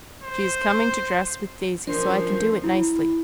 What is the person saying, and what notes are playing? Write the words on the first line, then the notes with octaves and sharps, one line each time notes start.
She is coming to dress with Daisy, so I can do it nicely.'
C5
F3 C#4 D4 A#4 C5
E4